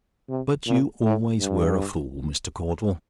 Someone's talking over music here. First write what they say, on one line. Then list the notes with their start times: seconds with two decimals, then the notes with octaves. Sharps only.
But you always were a fool, Mr. Caudle!
0.29 C3
0.66 A#2
1.03 A2
1.40 G2